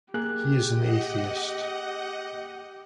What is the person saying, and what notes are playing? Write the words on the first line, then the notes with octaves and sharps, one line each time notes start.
He is an atheist.
A#3 G4 G#4 F#6
D#5 F#5